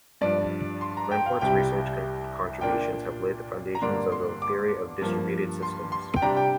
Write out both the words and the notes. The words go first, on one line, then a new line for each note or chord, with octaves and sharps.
Lamport's research contributions have laid the foundations of the theory of distributed systems.
G2 F3 D4 D5
C6
A#5
G5
F5
C2 C3 G3 G5
A#2 A#3 D4 G5
A#5
G2 D3 A#3 D4 C6
C6
D6
G2 F3 A#3
C6
C6
G5
C3 G3 D4 A#5
G5